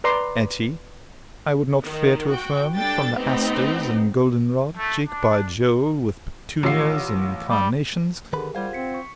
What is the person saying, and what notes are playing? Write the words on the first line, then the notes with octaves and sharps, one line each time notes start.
Etty, I would not fear to affirm, from the asters and golden-rod, cheek by jole with petunias and carnations.
B4 D5 A#5 C6
D#3
F#4 G5
G3 D4 A4 G5 A6
A3 B3 C4 D#4 G4
A3
D4
A1 F4 C7
G3
D3 D#3 G4 G#4 A#4 B4 B5
G3 F4 C5 F5 F#5 G#6
C4 B6 C#7
C#6